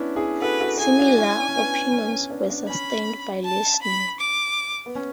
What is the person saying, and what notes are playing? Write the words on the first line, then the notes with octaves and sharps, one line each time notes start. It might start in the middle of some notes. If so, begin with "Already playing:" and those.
Similar opinions were sustained by Lisseanu.
Already playing: B3 C#4 D4 E4
E4 G#4
F#4 A4 B4
F#4 A4
E4 G#4 G#5
D4 F#4
C#4 E4
C#4
B3 D4
C#4
C#4
B3 D4
B3 D4
C#4 B5
A5
B5
D6
B3
C#4